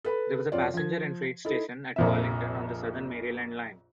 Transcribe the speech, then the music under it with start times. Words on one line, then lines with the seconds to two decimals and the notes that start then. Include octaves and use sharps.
There was a passenger and freight station at Collington on the Southern Maryland Line.
0.05 A4 B4 B5
0.52 F2 F4 C#5 D5
0.74 F3 G#6
1.45 D#4 E4 A4
1.96 A#1 F2 E5